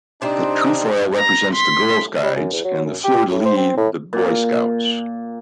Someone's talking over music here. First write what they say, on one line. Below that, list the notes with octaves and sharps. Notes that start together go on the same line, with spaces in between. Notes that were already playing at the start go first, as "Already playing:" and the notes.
The trefoil represents the Girl Guides and the fleur-de-lis the Boy Scouts.
C3 C4 D4 D#4
A#5
C6 B6
G3
F#2
E2
F#3
F#2
G4
A2
C5
C4
A2
A#2